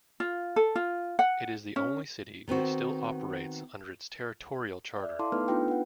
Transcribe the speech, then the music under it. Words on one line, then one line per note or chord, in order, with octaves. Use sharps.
It is the only city which still operates under its territorial charter.
F4
A4
F4
F#5
C#4
D#3 B3 C4 F#4
D5 E5
E4 A4 F5 A5 C6 D6
A3 B3 D#4 A4 B4 F6
B3 D4 D#4 F4 B4 G5
B4 F#5